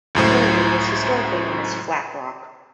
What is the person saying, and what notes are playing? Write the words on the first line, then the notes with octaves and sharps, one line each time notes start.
Turley was historically known as Flat Rock.
C#2 F#2 A2 C5